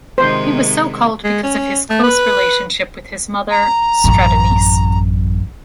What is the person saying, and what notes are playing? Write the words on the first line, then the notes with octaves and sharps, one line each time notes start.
He was so-called because of his close relationship with his mother Stratonice.
C3 D#3 G#3 C5
G#3
C#4
A3
B4
A#5
A1 F#2